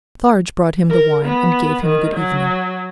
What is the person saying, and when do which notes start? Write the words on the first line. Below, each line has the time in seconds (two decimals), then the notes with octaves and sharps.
Defarge brought him the wine, and gave him Good Evening.
0.90 A#4
1.25 B3
1.85 D#3
2.16 F#3